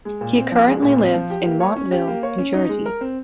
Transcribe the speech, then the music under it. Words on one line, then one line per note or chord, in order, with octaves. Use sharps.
He currently lives in Montville, New Jersey.
G#3
A#2
C4
F3
G#3
A#2
C4
F3
G4
A#3
C#5
C#4
G4
A#3
C#5
C#4
D#4
G#3
A#4
C4